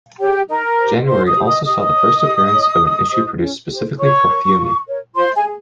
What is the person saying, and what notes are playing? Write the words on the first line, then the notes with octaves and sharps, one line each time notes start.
January also saw the first appearance of an issue produced specifically for Fiume.
G4 G#4 C#5 G5
D#4 A#4 A#5
G4 C5
D#4 C5 C6
D#5 D#6
G4 C5
D#5 D#6
G4 D#5 D#6
C#5
G4
C#5
C#4
G4 C5
C#4
G4 C5
F4 C#5 C#6
A#4 C#5
F4
A#4 C#5
F4 C5 C6
G#4 G#5
G#4